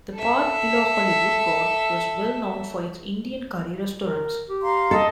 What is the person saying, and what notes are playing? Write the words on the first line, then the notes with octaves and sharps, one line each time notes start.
The part below Hollywood Road was well known for its Indian curry restaurants.
A4 E5
A#4
G4
F5 A#5 C6
C4 A4 D#5